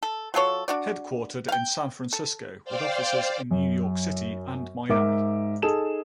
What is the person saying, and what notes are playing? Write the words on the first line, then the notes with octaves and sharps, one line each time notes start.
Headquartered in San Francisco, with offices in New York City and Miami.
A4
F#3 F4 A4 C#5
D4 F#4 D5
F5 G5
A4
C5 D5 F5 G5
F#2
G#2 A#4 E5 D6
D#4 G#4 A4 E7